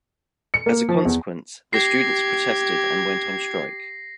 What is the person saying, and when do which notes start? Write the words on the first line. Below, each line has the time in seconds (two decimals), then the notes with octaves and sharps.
As a consequence, the students protested and went on strike.
0.54 C#7
0.66 A#3
0.89 F3
1.05 E2
1.73 G4 G#6 A#6 C7